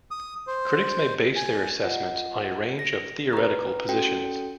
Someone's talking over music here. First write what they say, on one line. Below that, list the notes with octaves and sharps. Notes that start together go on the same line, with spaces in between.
Critics may base their assessment on a range of theoretical positions.
D#6
C5
G#5
F4 D#5 F#5
A#6
B4 A#5
C#4 F#4 A4 G5